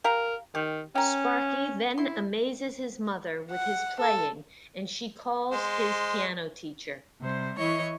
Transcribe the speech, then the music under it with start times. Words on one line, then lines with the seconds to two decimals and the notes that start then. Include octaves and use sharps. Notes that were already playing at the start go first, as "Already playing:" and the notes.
Sparky then amazes his mother with his playing, and she calls his piano teacher.
0.04 G4 A#4 F5 A#5
0.55 D#3 G4
0.95 C#4 A#4 G5
1.98 E4 C6
3.52 F#5
4.00 A4
5.52 G#3 C5
7.20 C3 G3 C5
7.57 E3 E4 C#5 D#5 C#6